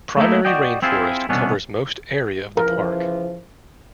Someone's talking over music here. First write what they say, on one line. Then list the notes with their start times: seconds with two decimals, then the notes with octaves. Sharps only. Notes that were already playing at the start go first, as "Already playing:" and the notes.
Primary rain forest covers most area of the park.
0.17 A3 A#3 D#4 E4
0.45 F#4 D5 D#5 G5
0.82 C4 E4 F4 G#4
1.29 C2 B2 E3 B3 C#4 D4
2.57 C#3 E3 F3 A#4